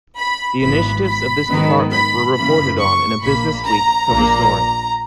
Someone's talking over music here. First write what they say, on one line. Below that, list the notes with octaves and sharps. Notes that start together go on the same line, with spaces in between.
The initiatives of this department were reported on in a "BusinessWeek" cover story.
B5
G#1 G#2 E3 B3 B5
B5
G#2 D#3 F#3 B3
B5
F#2 C#3 E3 A#3 B5
C#6
A#1 A#2 A#3 B5
A#5
A#1 A#2 A#3